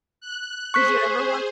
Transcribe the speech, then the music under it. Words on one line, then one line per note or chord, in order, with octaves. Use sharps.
Did you ever watch
F#6
G#4 C5 C#6 F#6 B6